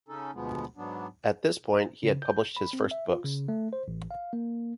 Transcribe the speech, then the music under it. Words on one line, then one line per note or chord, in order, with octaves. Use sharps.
At this point he had published his first books.
C#3 C#4 D#4 A4
D2 B2 F3 G#3 B3
G#2 F#3 B3 D4
C#3
G6
B5
C4
E5
F4
C#3
A3
C5
A1
F5
A#3